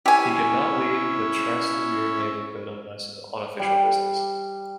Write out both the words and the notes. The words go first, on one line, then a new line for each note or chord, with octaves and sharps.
He could not leave the Trastevere neighborhood unless on official business.
C#4 E4 G4 G#5
G3